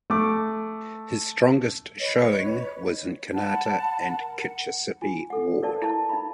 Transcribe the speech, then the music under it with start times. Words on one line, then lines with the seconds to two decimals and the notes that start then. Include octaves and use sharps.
His strongest showing was in Kanata and Kitchissippi Ward.
0.10 A3 D6
1.99 B4 C#5 D#5
3.34 F#5 A5 B5
4.18 A#4
4.40 F#5
5.02 F4 G#5
5.30 A4 F#5
5.62 A#4 B4 D5 F5 G5 A5
5.82 E4 A5
6.09 D#4 F5 B5